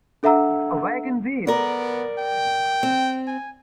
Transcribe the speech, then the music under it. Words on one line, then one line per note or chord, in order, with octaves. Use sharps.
A wagon wheel!
D4 A4 E5 F#5 A#5 E6
B3 A#4 D5
G5
C4
G#5